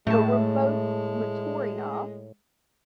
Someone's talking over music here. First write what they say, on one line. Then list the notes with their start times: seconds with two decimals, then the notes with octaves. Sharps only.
but we're both mature enough
0.07 A2 G#3 A3 A5